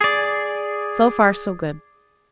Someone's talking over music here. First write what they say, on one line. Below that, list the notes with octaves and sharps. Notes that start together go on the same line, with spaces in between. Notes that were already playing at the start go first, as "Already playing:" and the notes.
So far, so good.
G#4 D5